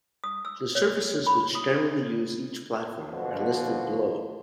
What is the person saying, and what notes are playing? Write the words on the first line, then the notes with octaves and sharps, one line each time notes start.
The services which generally use each platform are listed below.
D#6
E6
C#5
B5
D#6
B2 D3 F3 F#4